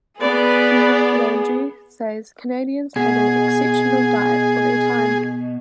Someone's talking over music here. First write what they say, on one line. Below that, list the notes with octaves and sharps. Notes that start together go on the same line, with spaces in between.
Yves Landry says, Canadians had an exceptional diet for their time.
B3 G#4 B4 D5
B2 G#4